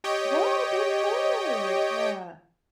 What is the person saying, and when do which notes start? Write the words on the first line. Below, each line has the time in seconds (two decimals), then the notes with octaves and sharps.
Yo, they could. Yeah.
0.04 G4 C#5 D#5 G5